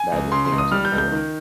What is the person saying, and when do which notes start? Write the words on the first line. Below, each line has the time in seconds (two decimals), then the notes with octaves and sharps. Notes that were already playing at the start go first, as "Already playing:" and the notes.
That, I didn't think I was gonna enjoy.
Already playing: G#5
0.12 C#2
0.32 C#3 C6
0.45 C6
0.52 C#2
0.58 D#6
0.71 G3 F6
0.85 G6
0.92 C#2
0.98 G6
1.12 D#3